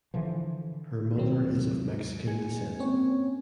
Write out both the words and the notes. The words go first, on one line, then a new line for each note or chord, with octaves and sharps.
Her mother is of Mexican descent.
D3 E3 F3
D#2 C3 F#3 C4
A#2 G#3 G#5 C#7
A#3 C4 C#4 C#5